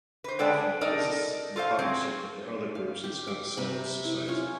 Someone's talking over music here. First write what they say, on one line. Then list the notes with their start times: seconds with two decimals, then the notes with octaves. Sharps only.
Often, this is in partnership with other groups in Scottish civil society.
0.24 B4 C5
0.39 G#3 B3 A4 D5 G5
0.81 D#4 A4 A#4 D5 D#5
1.56 F4 A4 C5 F5
1.79 F#3 C4 G#4
2.75 F5
3.04 G4
3.28 D6
3.57 C3 A#5 B5
4.05 E4
4.28 C#4 F4 C#5 G#5